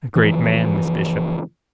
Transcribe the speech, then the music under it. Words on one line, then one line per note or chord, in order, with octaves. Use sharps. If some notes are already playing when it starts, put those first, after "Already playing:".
A great man, Miss Bishop.
F#1 E3 F3